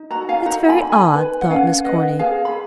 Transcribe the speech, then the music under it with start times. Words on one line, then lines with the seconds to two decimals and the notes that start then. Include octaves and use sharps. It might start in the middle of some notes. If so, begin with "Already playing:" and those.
"It's very odd," thought Miss Corny.
Already playing: D#4
0.11 F#4 F#5 A#5
0.29 F5 G#5
0.46 D#4 F#5 A#5
0.69 G#5 B5
0.80 D#4
0.92 G#5 B5
1.15 B4
1.41 F#5
1.50 C#4 F5 G#5
1.84 B4 D#5 F#5
2.19 G#4 F5 G#5
2.45 B5